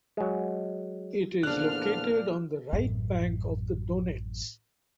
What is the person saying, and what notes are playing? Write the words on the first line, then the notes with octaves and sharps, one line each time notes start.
It is located on the right bank of the Donets.
F#3 G#3
E2 A#2 D3 F3 D4 F6 F#6
A1 F#2